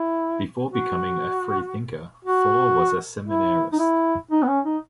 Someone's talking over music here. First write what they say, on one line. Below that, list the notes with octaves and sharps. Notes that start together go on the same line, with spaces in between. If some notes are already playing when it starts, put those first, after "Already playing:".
Before becoming a free-thinker, Faure was a seminarist.
Already playing: E4
F#4
F#4
E4
D#4
E4
D#4
B3
C#4
D#4